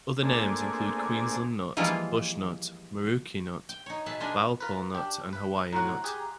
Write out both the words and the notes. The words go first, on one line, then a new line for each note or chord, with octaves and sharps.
Other names include Queensland nut, bush nut, maroochi nut, bauple nut, and Hawaii nut.
A3 A#3 C4 D4 G#4
E3 F3 G3 G#3 A#3 F4
G5
D#4 C#5
B2 G#4 B4 E5 A5
G#3 C4 D4 A#4 D#5 G#5
F4 A#4 B4
D4 G4 G5
B4
A2 F#4 A#5 C6 F#6
G4 G#4